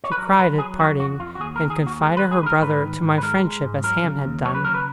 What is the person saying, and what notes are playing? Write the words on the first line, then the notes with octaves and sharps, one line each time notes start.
She cried at parting, and confided her brother to my friendship as Ham had done.
C#5
B4
F#3 A#4
F#3 B4
F#3 G#4
F2 F#4
F2 F#4
F2 F4
F#4
D#2 G#4
A#4
D#3
G#4
D#2
F#4
G#3 F#4
B4
G#3
G#4
D#3 A#4 B4
G#2 B4
D#3
G#2
B4
G#3 A#4
G#3
G#2
F#3 A#4
C#3
D#2
F#3 C#5
B4
C#3 A#4
B4